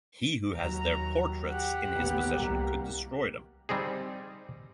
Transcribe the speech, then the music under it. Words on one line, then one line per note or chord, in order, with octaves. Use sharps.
He who has their portraits in his possession could destroy them.
D#2 F#3 A#5
G4 F#5
A1 D#2 B3
C2 G3 A#3
G3 C4 D#4 G#4